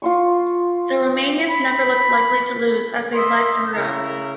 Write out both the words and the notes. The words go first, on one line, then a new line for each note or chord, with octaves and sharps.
The Romanians never looked likely to lose as they led throughout.
F4 C6 C#6
B5
D#5 E5 B5 C6
C#3 E4 A#4